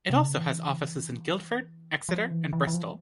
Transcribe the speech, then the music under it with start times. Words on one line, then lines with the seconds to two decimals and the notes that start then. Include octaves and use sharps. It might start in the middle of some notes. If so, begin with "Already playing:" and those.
It also has offices in Guildford, Exeter and Bristol.
0.10 C3
0.23 C#3
0.37 E3
2.09 F3
2.31 E3
2.53 E3
2.67 E3
2.74 F3